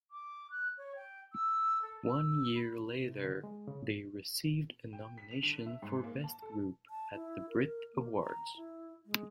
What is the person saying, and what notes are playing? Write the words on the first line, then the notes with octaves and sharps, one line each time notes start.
One year later they received a nomination for "Best Group" at the Brit Awards.
D6
F#6
C#5
G5
E6
A4
E6
B5
C3
D3
G#3
C#3
G5
B6
F7
D3
E5
G#2
A#3
A5
A4
A5
E4
A#4
A#3
A#5
E4
G#3